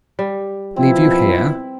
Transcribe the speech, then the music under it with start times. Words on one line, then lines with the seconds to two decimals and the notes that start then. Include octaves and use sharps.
"Leave you here!"
0.19 G3
0.76 B2 F3 C4 E4